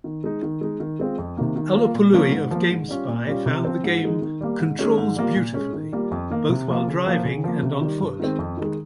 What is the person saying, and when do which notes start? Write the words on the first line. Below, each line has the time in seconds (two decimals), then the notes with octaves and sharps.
Alupului of GameSpy found the game "controls beautifully", both while driving and on-foot.
0.04 D#3
0.24 G#3 D#4
0.43 D#3
0.61 G#3 D#4
0.80 D#3
0.99 G#3 C4 F4
1.18 F2
1.37 C3 D#3 A#3
1.56 D#3
1.75 A#3 F4
1.94 A#2
2.13 F3 A#3 C#4 F4
2.32 G#2
2.51 F3 A#3
2.70 G#2
2.89 G3 C#4 F4
3.08 A#2
3.27 G3 C#4 F4
3.46 C3
3.65 F3 C4
3.84 G#2
4.02 D#3 G#3 D#4
4.22 D#3
4.41 G3 A#3
4.60 G#2
4.79 D#3 G#3 C#4
4.98 G#2
5.16 G3 A#3 F4
5.35 A#2
5.54 G#3 C#4
5.73 D#3
5.92 G3 A#3 F4
6.11 F2
6.30 D#3 A#3 D#4
6.49 C3
6.68 F3 A#3 F4
6.87 C#3
7.06 F3 A#3 F4
7.25 C#3
7.44 F3 A#3
7.63 C3
7.82 D#3 G3
8.01 G2
8.20 D#3 G#3 C4
8.39 F2
8.58 D#3 G#3